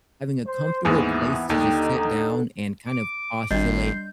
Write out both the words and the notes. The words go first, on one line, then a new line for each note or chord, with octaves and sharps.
having a comfortable place to just sit down and kind of postulate,
C5
D#2 G#2 E3 B3
D#2 D3 D#4 G4
D6
G#1 G3 D4 D#5 C6 G6